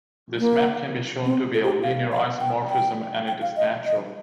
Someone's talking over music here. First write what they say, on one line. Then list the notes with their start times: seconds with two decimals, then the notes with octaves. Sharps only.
This map can be shown to be a linear isomorphism, and it is natural.
0.39 A#3
1.25 C4
1.54 A4
1.64 G4
1.83 F5
2.12 F5
2.40 G5
2.70 G5
3.27 G5
3.42 F5
3.57 D#5
3.86 D#5